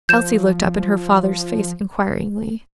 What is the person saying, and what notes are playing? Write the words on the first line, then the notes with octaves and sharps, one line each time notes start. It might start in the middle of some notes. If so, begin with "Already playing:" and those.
Elsie looked up in her father's face inquiringly.
F3 G6 E7